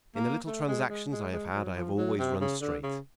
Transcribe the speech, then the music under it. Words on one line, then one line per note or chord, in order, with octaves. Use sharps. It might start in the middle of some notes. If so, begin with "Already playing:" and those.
In the little transactions I have had I have always run straight.
A#3
A3
G#3
G#3
G#3
G#3
F#3
F3
F#3
C3
C#3
D3
C#3